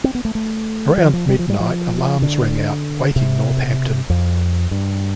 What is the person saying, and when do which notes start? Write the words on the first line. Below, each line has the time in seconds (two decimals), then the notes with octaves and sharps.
Around midnight alarms rang out, waking Northampton.
0.04 C4
0.15 B3
0.25 A3
0.35 A3
0.98 F3
1.13 F3
1.29 G3
1.39 F3
1.50 G3
1.60 F3
2.22 D3
3.16 C3
4.10 F2
4.71 G2